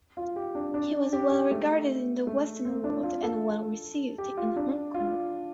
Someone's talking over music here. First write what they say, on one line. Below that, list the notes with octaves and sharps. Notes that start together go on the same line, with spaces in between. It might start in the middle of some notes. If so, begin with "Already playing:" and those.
He was well regarded in the Western world and well received in Hong Kong.
F4
G4
D4
D4
G4
G4
A3
A3
C4
D4
F4
A4
G4
F4
D4
F4